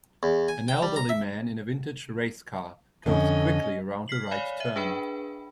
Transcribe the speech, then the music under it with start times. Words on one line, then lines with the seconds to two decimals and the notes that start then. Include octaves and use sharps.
An elderly man in a vintage race car goes quickly around a right turn.
0.23 E2
0.48 G#5
0.68 G5
0.83 G3
0.96 A#5
1.09 E5
3.06 F2 D3 C#4 D#5
4.08 F6 B6 C7 F#7
4.31 C#5 D5 F5 G#5 B5
4.60 E5 D#7
4.76 D4 G#4 B4 G5 B5